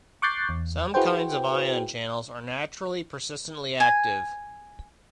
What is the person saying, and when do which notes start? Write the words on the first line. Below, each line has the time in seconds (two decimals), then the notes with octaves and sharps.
Some kinds of ion channels are naturally persistently active.
0.22 C#6 D6 F#6 G6 A6 C7
0.49 E2
0.94 E4 F#4 G#4 B4 C5 G5
3.80 G#5